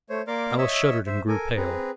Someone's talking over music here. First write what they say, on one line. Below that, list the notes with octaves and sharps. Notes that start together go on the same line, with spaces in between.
Alice shuddered and grew pale.
A3 C5 C#5
A#3 A#4 D5 C6 D6 F6
C#5 D#5 E5 E6
C5 E5
A4 A#4 G#5
C4 G#4 B4 A#5